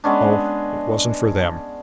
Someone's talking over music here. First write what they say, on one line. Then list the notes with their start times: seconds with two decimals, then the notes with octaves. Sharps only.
No, it wasn't for them.
0.04 G#3 B3 C#4 D4